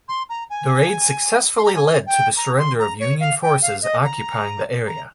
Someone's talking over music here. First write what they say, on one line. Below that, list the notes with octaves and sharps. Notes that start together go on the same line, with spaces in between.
The raid successfully led to the surrender of Union forces occupying the area.
C6
A#5
G#5
C6
A#5
G#5
G5
A#5
C6
A#5
C#5
F5
G5
F5
D#5
A#5
A#5